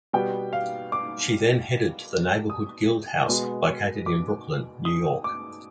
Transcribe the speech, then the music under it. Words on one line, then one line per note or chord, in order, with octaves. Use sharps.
She then headed the Neighborhood Guild House located in Brooklyn, New York.
B2 G3 B3 G5
F5
D6
D#6
B2 G#3 B3
D6
D#6
D6